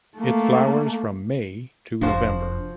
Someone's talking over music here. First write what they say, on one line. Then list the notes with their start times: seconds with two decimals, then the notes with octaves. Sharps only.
It flowers from May to November.
0.17 A3 A#3
2.01 F1 F3 D4 F#4 C5